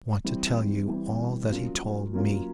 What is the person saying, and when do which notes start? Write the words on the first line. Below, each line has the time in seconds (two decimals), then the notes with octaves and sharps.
I want to tell you all that he told me.
0.25 E3 G3 C4
0.87 E3 G3 C4
1.50 F#3 A#3 C#4 F4 A#4
2.13 F#3 A#3 C#4 F4 A#4